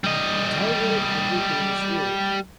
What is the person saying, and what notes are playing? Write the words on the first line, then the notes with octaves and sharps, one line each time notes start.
Dougal agreed to this view.
G3 D#5